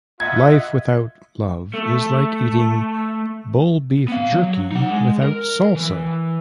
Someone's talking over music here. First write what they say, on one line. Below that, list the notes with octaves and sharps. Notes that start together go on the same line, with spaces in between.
Life without love is like eating bull-beef jerky without salsa!
F4 D#5 E5 F#5 G#6
A3
B3 F5
F#3
D#4 F#5
G#3
A#4
E3